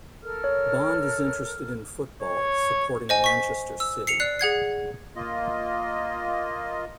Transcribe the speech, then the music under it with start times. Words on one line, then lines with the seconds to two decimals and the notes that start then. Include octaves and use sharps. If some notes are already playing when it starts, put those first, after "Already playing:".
Bond is interested in football, supporting Manchester City.
0.22 A4 A#4 F6
0.44 C#5
2.21 C#5
3.09 C5 D#5 G#5
3.24 C#6 B6
3.80 E6
4.07 C7 C#7 F7
4.20 D5 F#6 C7
4.39 G#4 F#5 G#6 C7
5.16 A#3 F4 D#5